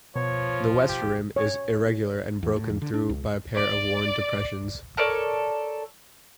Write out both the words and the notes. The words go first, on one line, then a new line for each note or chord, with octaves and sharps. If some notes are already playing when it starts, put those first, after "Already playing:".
The west rim is irregular and broken through by a pair of worn depressions.
B2 F3 C#5
G4
C#5
E2
A2
E2
D3
D4
C#2
D5
A4 A#4 C#5 D5